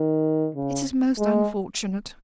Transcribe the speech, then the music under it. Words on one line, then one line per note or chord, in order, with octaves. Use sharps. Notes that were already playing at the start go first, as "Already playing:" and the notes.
'It is most unfortunate!
Already playing: D#3
C#3
G#3